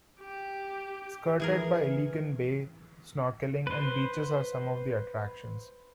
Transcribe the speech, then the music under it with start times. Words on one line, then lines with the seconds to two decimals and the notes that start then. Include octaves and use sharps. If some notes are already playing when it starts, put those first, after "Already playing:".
Skirted by Iligan Bay, snorkeling and beaches are some of the attractions.
0.20 G4
1.40 E3 G#4 A#4
3.67 B4 C5